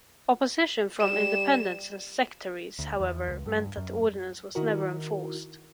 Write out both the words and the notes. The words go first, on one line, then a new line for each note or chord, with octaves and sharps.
Opposition from Independents and sectaries, however, meant that the ordinance was never enforced.
G3 E7
D2
E2
C#2
G2
F#2
D#3 D#4 E4 F#4 A#4